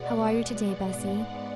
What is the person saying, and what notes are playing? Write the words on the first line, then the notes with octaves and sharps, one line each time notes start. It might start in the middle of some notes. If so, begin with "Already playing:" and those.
"How are you today, Bessie?"
Already playing: B2 G#3 B3 D5 F#5
D5 F#5
G#2 G#3 B3 D5 F#5